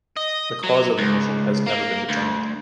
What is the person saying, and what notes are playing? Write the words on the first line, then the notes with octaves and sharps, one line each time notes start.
The cause of ignition has never been determined.
D#5
F#3
C#2
A#3
D2